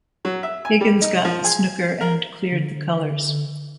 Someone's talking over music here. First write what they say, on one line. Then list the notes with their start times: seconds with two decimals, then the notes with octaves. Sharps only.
Higgins got the snooker and cleared the colours.
0.25 F#3
0.43 E5
0.65 G#5
0.81 G3
1.01 D#4
1.25 F3
1.44 G#4
2.01 A#4
2.51 D3